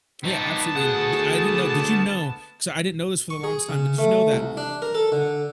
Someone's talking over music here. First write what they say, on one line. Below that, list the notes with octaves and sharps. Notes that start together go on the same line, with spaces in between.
Yeah, absolutely, and the I didn't know, did you know 'cause I didn't know this for the longest time, but did you know that,
G3 B3 D#4 A5
D2 G#4 F#5
C#6
G#4
C#3
A3
C2
D4
A#4
A4
D3